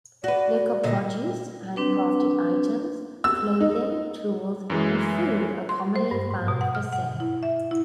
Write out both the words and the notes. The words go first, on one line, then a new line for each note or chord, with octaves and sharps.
Local produce, hand crafted items, clothing, tools and food are commonly found for sale.
F#4 B4 D5
A#2 D3 D#5
C4 D4 B4
E6
D#4
F#2 E3 G#3
C6
C5
G2
G#2
B2
F#5
F6
F#5
E4
E5
E4